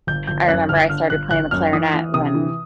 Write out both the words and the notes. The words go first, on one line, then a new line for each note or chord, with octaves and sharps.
I remember I started playing the clarinet when
G1 G6
G1 G6
F#2 F#6
G1 F6
D3 F6
G1 F#6
G1 F#6
F#2 F6
E3 D#6
E3
C3 D#6
E3